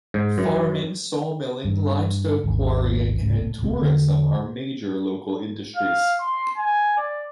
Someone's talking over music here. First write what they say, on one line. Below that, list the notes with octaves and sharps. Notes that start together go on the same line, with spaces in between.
Farming, sawmilling, limestone quarrying and tourism are major local industries.
G#2
F#2
G2
G#1 D#2
F1 C#2 G#2 C3
A2
D#1 C#2 A3 C4
E2 D3
F5
C6
G#5
D5